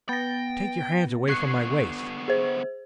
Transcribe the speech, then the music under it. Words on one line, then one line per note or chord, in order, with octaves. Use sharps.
"Take your hands away from my waist."
B3 G5 A6 A#6
D3 B3 C#6 F#6 G#6 C7
G#4 C5